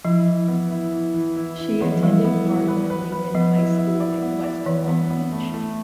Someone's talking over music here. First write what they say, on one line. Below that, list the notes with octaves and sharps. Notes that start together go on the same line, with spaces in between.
She attended Cardinal Newman High School in West Palm Beach.
F3 E4
E3
B3
E4
E3
E3
E4
E4
E3 B3
F3
G3 E4
B3
E3
B4
B4
B4
F3 B3
E4
E4
D5
B3
D5
E3 B4
B3
B3
A3
A3